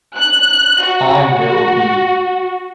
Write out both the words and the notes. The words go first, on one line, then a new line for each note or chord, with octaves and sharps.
I will be.
F#6
F#4